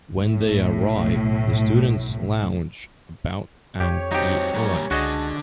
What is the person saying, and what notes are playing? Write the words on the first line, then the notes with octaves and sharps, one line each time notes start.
When they arrive, the students lounge about and eat a lunch.
B1 A2
F2 G4 C#5
F#3 C4 D#4 G4
A#2 F#3 G3
C#2 D3 F#4 G#4 D#5